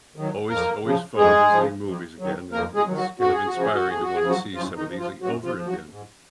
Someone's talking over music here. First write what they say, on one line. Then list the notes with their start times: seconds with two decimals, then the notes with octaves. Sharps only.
Always always fun visiting movies again, it it's kind of inspiring to wanna see some of these a over again.
0.16 D#3 F#3
0.49 F2 A#3 A#4
0.83 C#3 F3
1.17 F2 G#3 G#4
1.51 C#3 F3
1.85 F2
2.19 D#3 F#3
2.52 F2 A#3 A#4
2.75 G#3 G#4
2.86 D#3 F#3
2.97 F#3 F#4
3.19 F2 F#4
3.33 G#4
3.47 F#4
3.54 C#3 F3
3.61 G#4
3.74 F#4
3.87 F2 G#4
4.02 F#4
4.15 G#4
4.21 C#3 F3
4.29 F#3 F#4
4.54 F#2 F3 F4
4.77 D#3 D#4
4.88 F3
4.99 F3 F4
5.21 F#2 F#3 F#4
5.44 F3 F4
5.56 F3
5.67 F#3 F#4
5.90 G#2